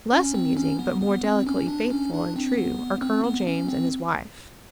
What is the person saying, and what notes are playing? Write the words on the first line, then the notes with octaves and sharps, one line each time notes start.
Less amusing but more delicately faithful and true are Colonel James and his wife.
C#4
C4
C#4
B3
B3
C4
C#4
D4
C#4
D4
C4
B3
C4
B3
C#4
C4